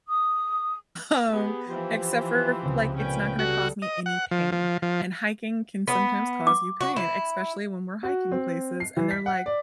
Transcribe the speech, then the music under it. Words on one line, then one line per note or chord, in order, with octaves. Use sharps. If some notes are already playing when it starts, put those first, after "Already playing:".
um, except for f like, it's not gonna cause me any pain, and hiking can sometimes cause you pain, especially when we're hiking places, and they're like,
D#6
B3 G4 G#4
E3 F3 G4 C5
C#2 C3
A#2 F3 C#4 B4 G5
G3 F#4 A4
D#5
F#5
F3
F3
F3
B3
D6
F#4
E4
F#4
C4
C7
E3
B6
F#5
D5